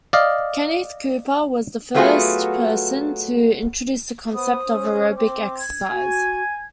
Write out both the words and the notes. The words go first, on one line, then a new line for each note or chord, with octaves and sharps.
Kenneth Cooper was the first person to introduce the concept of aerobic exercise.
D5 D#5 F5
F#3 A3 B3 F4 F#4 G#4
B3 C5 D#6
C#4
C4 D6
G#6
F#4 G#5